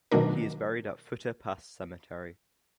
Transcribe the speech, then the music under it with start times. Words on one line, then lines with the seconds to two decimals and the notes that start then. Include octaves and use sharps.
He is buried at Futa Pass Cemetery.
0.11 B2 D#3 F#3 A3 D4 A#4